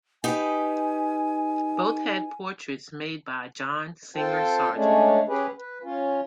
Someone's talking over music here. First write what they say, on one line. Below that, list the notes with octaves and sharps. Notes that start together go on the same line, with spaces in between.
Both had portraits made by John Singer Sargent.
D#4 G4 B4 G#5
C4 F4 A4 C5 G5 A5
G#3 A3 C#4 D4
C#4 G4 G#4 B4
B4
C#4 F4